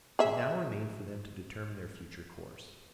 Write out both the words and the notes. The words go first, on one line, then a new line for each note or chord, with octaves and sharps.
It now remained for them to determine their future course.
G#4 E5